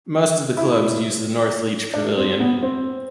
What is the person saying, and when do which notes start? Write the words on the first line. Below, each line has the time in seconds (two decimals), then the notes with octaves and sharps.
Most of the clubs use the Northleach Pavilion.
0.57 E4
1.94 D4
2.18 C4
2.40 B3
2.63 C4